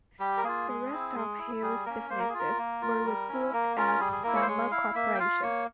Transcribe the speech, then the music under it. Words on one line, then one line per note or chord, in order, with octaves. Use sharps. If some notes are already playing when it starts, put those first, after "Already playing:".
The rest of Hughes' businesses were regrouped as Summa Corporation.
G3 G4
A#4
A#3 F4 G#4
G#3
C4 E4
G#3
E4
G3 G#4
A#3 C#4 A#4
A#3 C5
A#4
G#4
F4 A#4
A#3
F4
G3
C#4 E4
A#3 A#4
C#4 F4 A#4
G3 G#4
G#4
A#3 E4 A#4
C#5
C5
G#3 C#5
E4 F5
A#3 E5
G5
F4 F5
A#3 C#5